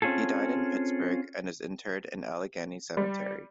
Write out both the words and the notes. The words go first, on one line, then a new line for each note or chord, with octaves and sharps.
He died in Pittsburgh and is interred in Allegheny Cemetery.
C4 C#4 F4 G#4 A4
G3